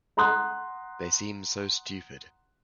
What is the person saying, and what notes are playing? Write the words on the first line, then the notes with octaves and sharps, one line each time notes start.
They seem so stupid.
F#5 A#5 C6 D#6 F#6